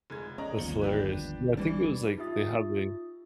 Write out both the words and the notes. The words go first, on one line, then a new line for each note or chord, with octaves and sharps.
That's hilarious. Yeah, I think it was like they how they
F1 G#3 G#6
C#4 D5 D#5 A#5
G1 D#2 A#2 F3 G7
D4 G4 B4
E3 G3 D4
D#4 F4 G4 E5 D#6 A6